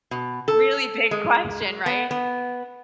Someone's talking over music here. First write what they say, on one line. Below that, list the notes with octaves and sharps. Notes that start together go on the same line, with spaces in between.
Really big question. Right?
B2
A4
G#3
B3
B3